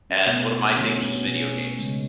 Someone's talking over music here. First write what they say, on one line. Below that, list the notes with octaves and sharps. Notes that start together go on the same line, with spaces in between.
And, one of my things was video games.
C#4
B2 A3 B3
D3 F#3 A3 C#4
B3
C#4
B3
B2 A3 C#4
C#3 G#3